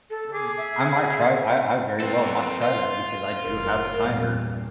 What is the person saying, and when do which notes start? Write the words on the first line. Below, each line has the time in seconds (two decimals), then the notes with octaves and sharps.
Um, I might try I I very well might try that, because I do have a timer,
0.10 A4
0.33 G#4 D6
0.58 E5
2.01 C4 A4 B4
2.63 F4
3.43 F#1 A#4
4.00 E2 G2 A#2